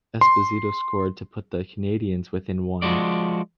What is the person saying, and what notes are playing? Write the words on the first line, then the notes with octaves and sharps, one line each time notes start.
Esposito scored to put the Canadians within one.
C6
F3 G#3 F#4 D5